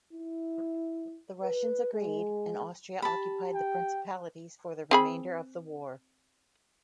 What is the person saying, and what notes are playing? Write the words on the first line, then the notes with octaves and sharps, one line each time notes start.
The Russians agreed, and Austria occupied the Principalities for the remainder of the war.
E4
B4
G#3
G4 A5 B5
G5
C4 G#4 B5